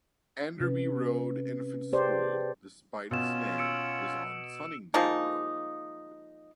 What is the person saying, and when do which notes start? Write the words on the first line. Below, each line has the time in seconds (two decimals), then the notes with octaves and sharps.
Enderby Road Infants School, despite its name, is on Sunningdale Road.
0.60 C3 C#4 B4
1.93 G4 G#4 B4 C5 D5 A5
3.11 B2 C#4 F4 E6 E7
3.58 E6 C#7 D7
4.94 F3 G#3 A#3 D#4